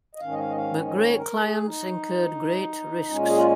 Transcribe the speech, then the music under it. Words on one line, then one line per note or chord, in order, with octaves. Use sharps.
But great clients incurred great risks.
D#5
G#2 D#3 C#4 F5
D#5
F5
D#5
F5
D#5
C#5
A#4
G#4
D#4
A#2 G#3 C#4
G#4
F4